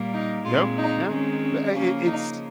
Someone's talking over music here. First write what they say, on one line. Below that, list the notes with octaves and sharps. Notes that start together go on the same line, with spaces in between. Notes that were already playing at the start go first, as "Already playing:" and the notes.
No, no. But, I I it it's
Already playing: A#2 G3 A#3
D#4
A#2 G#3 C4 F4
D#4
D#3 G#3 C4 C#4
C#4
C#3 F3 A#3 C#4
D#4